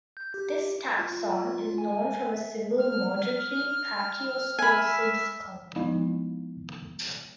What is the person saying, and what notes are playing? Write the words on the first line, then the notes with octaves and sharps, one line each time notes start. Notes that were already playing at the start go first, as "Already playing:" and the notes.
This taxon is known from a single, moderately pachyostosed skull.
G6
G4
F4
G#5
E5
F6
E5 G#5 B5
F3 G#3 B3 C4 D#4 E4